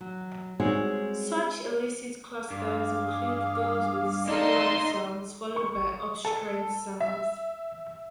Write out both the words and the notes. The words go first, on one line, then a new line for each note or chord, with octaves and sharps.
Such illicit clusters include those with sibilant sounds followed by obstruent sounds.
F#3
G3 G#3 C4 C#4 D#4 F#4
G2 G#4 F5 D6
A#3 D#4 A4 D5 D#5 C6
C#6
A4
E5